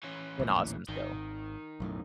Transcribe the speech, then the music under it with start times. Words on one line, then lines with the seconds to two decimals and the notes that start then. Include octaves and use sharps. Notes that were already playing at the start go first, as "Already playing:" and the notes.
an awesome skill.
0.04 E3 C#4
0.40 A#1 D#2 A2
0.89 G#1 D#3
1.80 B1 F#2 A2